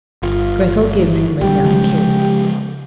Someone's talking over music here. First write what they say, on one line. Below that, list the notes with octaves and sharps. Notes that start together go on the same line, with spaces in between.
Grettel gives him a young kid.
G1 F4
E3
A#1 G3 G4
C#3 F3 G#3